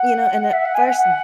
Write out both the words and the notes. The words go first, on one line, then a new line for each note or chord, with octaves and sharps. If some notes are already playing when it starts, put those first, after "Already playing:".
you know, and at first
Already playing: F#5
E5
F#5
G#5
F#5
F#5